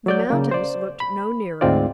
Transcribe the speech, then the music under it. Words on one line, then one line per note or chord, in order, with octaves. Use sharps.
The mountains looked no nearer.
F#3 D5 G6
C#3 A#3
C5 D5
B5
D2 G#2 G#3 C4 F4 D5